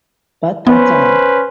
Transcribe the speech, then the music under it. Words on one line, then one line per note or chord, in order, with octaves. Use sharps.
But that's all.
B3 C#4 B4 C5